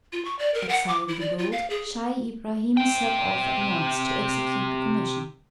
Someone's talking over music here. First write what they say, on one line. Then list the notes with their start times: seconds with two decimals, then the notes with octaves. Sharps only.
At sight of the gold, Scheih Ibrahim set off at once to execute the commission.
0.12 F4
0.25 C#6
0.39 D5
0.54 A#4
0.69 F#5
0.88 D6
1.08 E4
1.21 D5
1.38 F4
1.52 F5
1.70 G#4
2.77 C3 G5